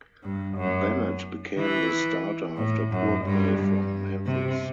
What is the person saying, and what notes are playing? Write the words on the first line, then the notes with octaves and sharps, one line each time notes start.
Bennett became the starter after poor play from Mathis.
G2
F#2
E3
A2
F#2
G2
G2
C3